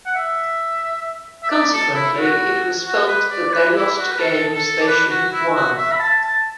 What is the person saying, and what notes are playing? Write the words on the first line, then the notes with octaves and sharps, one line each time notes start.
Consequently, it was felt that they lost games they should have won.
F#5
E5
E5
D5
A4
E4
F#4
F#4
B4
D5
D5
B4
E4
F#4
B4
A4
A4
D5
B4
F#4
E4
F#4
E5
B5
A5
A5